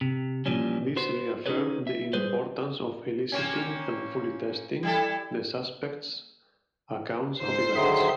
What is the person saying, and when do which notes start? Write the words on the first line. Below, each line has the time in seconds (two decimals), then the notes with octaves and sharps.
This reaffirmed the importance of eliciting and fully testing the suspects’ accounts of events.
0.01 C3
0.46 A#2 E3 F3 G3 C#4
0.96 B3 F#4 C5
1.46 C#4 D#4 F4 G#4 B4 C#5
1.87 E5
2.13 G3 G#4 B4 C5
3.32 A#3 C4 C#4
4.83 G3 E4 A4
7.41 G#2 C5 C7
7.76 D3 D#3 F#3 G#4 E5 C6